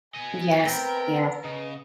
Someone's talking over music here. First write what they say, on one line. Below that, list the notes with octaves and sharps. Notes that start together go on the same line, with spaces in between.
Yes, yes.
B3 D#5 G#5
B3 C4 A#4 B4 G5
C#3 D#5